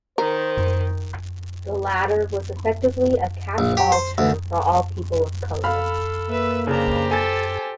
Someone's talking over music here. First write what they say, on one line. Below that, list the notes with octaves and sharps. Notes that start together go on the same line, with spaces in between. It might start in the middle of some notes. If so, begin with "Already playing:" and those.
The latter was effectively a 'catch all' term for all people of color.
D#3 A#4 C5
A#1
G4
C5
D2
A4 F5 B5 F6
A#3 B4 E5
C#3 D4 G4 C5 A#5
A4 G#5 A6